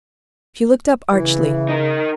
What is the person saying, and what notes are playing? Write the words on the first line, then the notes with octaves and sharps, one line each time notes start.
She looked up archly.
C#3 E3
D#4 A#4